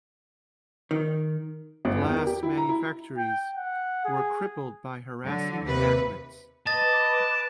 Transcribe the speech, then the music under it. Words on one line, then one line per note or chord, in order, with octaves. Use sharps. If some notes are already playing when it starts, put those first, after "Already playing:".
Glass manufactories were crippled by harassing enactments.
D#3
G1
E2
A#4
G4
E4
A#5
E4
G5
F#5
G#4
D3 F#3
D#2 C3 B4
B4 D#5 A5 D6 A6